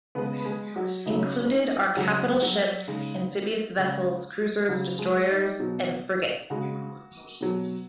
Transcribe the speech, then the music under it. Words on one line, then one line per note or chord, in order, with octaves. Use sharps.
Included are capital ships, amphibious vessels, cruisers, destroyers and frigates.
C#3 G#3 B3 B4
B4
G#3 G#4
F#3 F#4
C#3 F#3 D#4
C#4
C#4
D#4
C#3 F#3 G#3 F#4
F#3 F#4
C#3 G#3 D#4
C#3 G#3
C#3 F#3 F#4
G#3 G#4
D#4 D#5
B2 F#3
C#3 G#3 F#4 F#5
B2 F#3